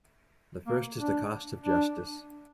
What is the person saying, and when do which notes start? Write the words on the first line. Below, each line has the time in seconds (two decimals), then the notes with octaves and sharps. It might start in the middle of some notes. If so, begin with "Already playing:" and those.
The first is the cost of justice.
0.67 A#3
0.99 D4
1.64 D4